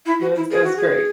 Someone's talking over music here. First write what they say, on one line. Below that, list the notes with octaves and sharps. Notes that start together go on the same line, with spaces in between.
It was it was great.
E4
F#4
E4
G#4
F#4
G#4